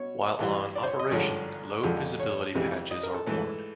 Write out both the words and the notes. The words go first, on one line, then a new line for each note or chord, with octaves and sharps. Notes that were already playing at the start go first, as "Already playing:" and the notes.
While on operation, low-visibility patches are worn.
Already playing: B2 C#5
G2 E3 G3
D5
C5
C#5
D#5
G#1 G2 D3 F3 G#3 C#5
F2 D3 F3 G#3
C#5
F2 C3 E3 G#3
D#5
A#4
A4
G#2 E3 A3 A4